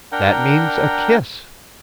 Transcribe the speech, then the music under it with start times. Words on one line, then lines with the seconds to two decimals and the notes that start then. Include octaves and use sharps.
"That means a kiss!"
0.12 D4 A#4 F#5 G5 A#5